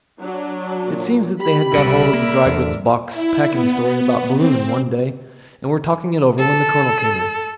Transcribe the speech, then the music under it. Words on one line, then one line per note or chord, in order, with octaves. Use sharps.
It seems that they had got hold of the dry-goods box packing story about Balloon, one day, and were talking it over when the Colonel came in.
F#3 D4
A#2
G4 B5
C2 A#2 A#4 D5 E5
A#3
E2 D3
E4
B3
C4
A4